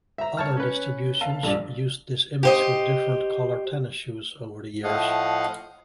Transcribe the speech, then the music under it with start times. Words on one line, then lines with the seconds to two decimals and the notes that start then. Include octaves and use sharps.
Other distributions used this image with different colored tennis shoes over the years.
0.18 E5 A#5
0.37 C#5 A5 F6
0.57 C#4 B4
1.21 F5 A5
1.43 A#1 G2 D5
2.43 G4 C5 D#5
4.84 A2 F3 A3 D#5 F5 F#5